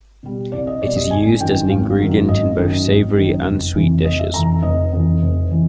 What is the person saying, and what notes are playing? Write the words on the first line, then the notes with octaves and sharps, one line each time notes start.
It is used as an ingredient in both savory and sweet dishes.
B2 G3
C2 D5
D#5
B2 G3 D5
D#5
G#1 G#5
F#2 D#3 F#3 G5
G#1 F5
F#2 D#3 F#3
G#1 D#5
F#2 D#3 F#3
G#1
F#2 D#3 F#3
F1
F2 C3 E3
F1 D#5
E5
F2 C3 E3 A#5
F1 D#5
F2 C3 E3
F1
C3 E3